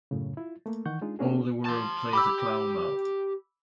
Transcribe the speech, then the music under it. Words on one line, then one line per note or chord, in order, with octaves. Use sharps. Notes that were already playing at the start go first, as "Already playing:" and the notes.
All the world plays a clown now.
F#2 A2 C#3
E4 F4
A3 A#3
D#3 E3 F#5 C#6 G6
G#3 D4 D#4 F4
A#3 B3 C#4 D4 F#4 G#4
A5 C6
G4 B5 D6 E6